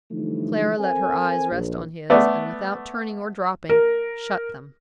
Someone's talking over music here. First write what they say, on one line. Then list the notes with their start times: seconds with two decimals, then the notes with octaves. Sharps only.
Clara let her eyes rest on his and, without turning or dropping, shut them.
0.11 D3 E3 F3 G3 A3 D#4
0.79 C4 A4 A#4 C5 G#5
1.50 A#1
2.10 A3 B3 D5
3.69 A#4